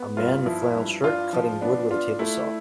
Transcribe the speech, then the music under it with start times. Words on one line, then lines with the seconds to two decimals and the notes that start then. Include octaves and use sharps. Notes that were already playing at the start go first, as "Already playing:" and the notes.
A man in a flannel shirt cutting wood with a table saw.
Already playing: B3
0.17 G2 F4
0.46 F3 E4
0.75 G2
1.04 D4 F4
1.33 F3
1.61 B3 D4
1.90 D4 F4
2.19 A3 E4